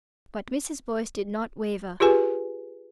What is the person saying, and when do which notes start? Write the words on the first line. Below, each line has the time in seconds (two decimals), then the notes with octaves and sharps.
But Mrs. Boyce did not waver.
2.00 F4 G4 G#4 B4 G#5